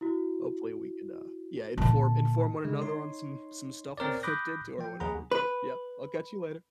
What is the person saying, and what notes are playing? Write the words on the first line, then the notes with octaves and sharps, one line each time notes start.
Hopefully, we can, uh, yeah, inform inform one another on some some stuff we've looked into or whatever. But, yep, I'll catch you later.
E4 F#4
A#2 D3 A5
C#3 G#3
D#4 C#5 C6
C4 A#4 C#5 D5
B5 D6 D#6 F#6 G6 A#6
F3 G5
D#2 G#4 F#5 A#5 B5
B4